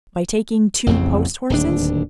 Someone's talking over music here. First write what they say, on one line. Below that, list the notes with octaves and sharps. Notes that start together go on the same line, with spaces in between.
"By taking two post-horses?"
A1 F2 C#3 C4
D1 D#2 D4